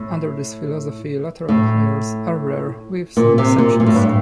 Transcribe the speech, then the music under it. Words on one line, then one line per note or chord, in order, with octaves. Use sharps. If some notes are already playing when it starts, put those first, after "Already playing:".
Under this philosophy, lateral hires are rare, with some exceptions.
Already playing: A2
A2
A#2
C3
A#2
A#2
A2
G2
A2